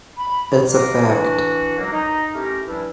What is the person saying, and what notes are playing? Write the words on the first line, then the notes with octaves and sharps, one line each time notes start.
It's a fact.
B5
D5 D#5 F5 A#5 D6
E3 D4 F#4
F#2 B2 F#3 G#3 A#3
D#4
A3 C#4 E4 G4 A#4
E3 F3 G3 D4 E4